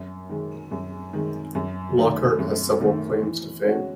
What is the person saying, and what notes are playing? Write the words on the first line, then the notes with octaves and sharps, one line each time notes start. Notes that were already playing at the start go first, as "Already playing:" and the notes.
Lockhart has several claims to fame.
Already playing: F#2
D#3 G#3
F#2
D#3 G#3
F#2
D#3 A3
F#2
D#3 A3
E3
G#3 C#4 F#4